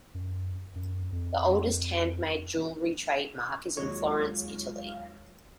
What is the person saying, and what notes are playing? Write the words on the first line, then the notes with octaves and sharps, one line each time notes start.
The oldest handmade jewelry trademark is in Florence, Italy.
F#2
F#2
F2
D#2 F#3 G#3 F4 C#5